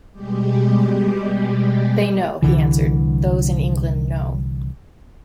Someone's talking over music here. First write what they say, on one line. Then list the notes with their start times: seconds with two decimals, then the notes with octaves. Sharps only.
"They know," he answered - "those in England know."
0.12 B2 G3 G#3 G4
2.42 C2 D3 E3